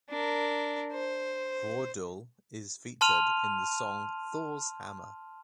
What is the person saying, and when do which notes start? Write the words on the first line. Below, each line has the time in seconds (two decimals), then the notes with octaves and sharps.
Vordul is featured in the song Thor's Hammer.
0.10 D4 A#4
0.93 C5
3.01 A5 C6 F6 D#7 F7